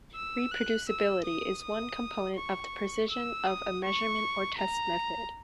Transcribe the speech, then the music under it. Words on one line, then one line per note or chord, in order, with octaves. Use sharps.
Reproducibility is one component of the precision of a measurement or test method.
E6
F#6
E6
D#6
D#6
C#6
E6
D#6
C#6
A#5